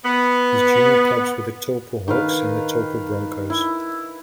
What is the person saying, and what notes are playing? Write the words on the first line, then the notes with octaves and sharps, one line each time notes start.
His junior clubs were the Taupo Hawks and Taupo Broncos.
B3
D#3 B4 F5
E4